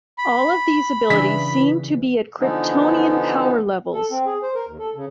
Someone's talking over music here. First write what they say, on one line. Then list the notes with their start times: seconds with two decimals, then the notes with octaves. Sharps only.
All of these abilities seem to be at Kryptonian power levels.
0.18 B5
1.10 C#3 E3 D4 B6
2.40 D3 E3 F3 B3 D#4
3.93 A4
4.11 C4
4.26 G#4
4.43 C5
4.55 A#4
4.67 D#2
4.79 A4
4.95 C#3